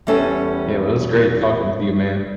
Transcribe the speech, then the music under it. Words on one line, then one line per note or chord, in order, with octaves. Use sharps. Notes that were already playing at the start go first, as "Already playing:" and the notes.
Yeah, well, it was great talking to you, man.
E2 G3 C#4 A4 C5 G#5